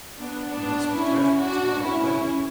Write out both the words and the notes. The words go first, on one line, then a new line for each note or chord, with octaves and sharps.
'You must be dreadfully tired already.'
B3 D4
B3 D4
C#4 E4
D4 F#4
C#4 E4